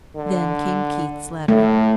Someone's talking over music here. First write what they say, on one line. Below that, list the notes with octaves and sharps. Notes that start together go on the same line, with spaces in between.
Then came Keith's letter.
D3
A2 A3